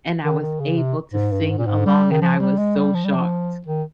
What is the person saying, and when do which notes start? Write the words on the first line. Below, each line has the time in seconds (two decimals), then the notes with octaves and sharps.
and I was able to sing along, and I was so shocked.
0.24 D#3
0.41 D#3
0.60 C#3
0.77 C3
1.13 G#2
1.32 G2
1.50 G#2
1.58 A#2
1.67 G#2
1.86 G3
2.11 D#3
2.22 F3
2.40 G3
2.58 G#3
2.76 G3
2.94 F3
3.04 G3
3.15 F3
3.66 D#3